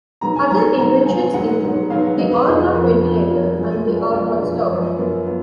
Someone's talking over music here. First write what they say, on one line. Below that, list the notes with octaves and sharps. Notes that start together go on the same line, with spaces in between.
Other inventions include the Arnott ventilator and the Arnott stove.
G#2 F#3 B3 A#5
G#5
G#2 F#3 B3 A#5
G#2 F#3 B3 A#5
G#2 F#3 B3 G#5
G#2 F#3 B3 F#5
G#2 F#3 B3
G#2 F#3 B3 F5
G#2 F#3 B3 D#5
B4
F2 F3 B3 G#4
F2 F3 B3 A#4
F2 F3 B3
F2 F3 B3 A#4
F#2 F3 G#3
F#2 F3 G#3 B4
D5
F#2 F3 G#3 D5
F#2 F3 G#3 B4
F#2 F3 B3
F#2 F3 B3 A#4
F3 B3